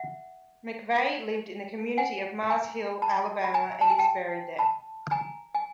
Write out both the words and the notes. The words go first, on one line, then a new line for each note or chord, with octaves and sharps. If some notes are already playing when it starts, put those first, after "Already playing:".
McVay lived in the community of Mars Hill, Alabama and is buried there.
Already playing: E5 F#5
F#5 G#5
G#5 A#5
A5 B5
B5
G#5 A#5
A5
G#5
G5 A5
A5 B5
G#5 A#5
G#5